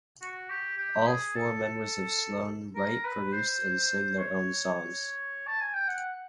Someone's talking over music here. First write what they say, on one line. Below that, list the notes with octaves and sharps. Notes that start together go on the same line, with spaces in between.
All four members of Sloan write, produce, and sing their own songs.
F#4
G4
G4
G#4
A4
A4
A#4
B4
C5
C#5
A5
G#5
G5
F#5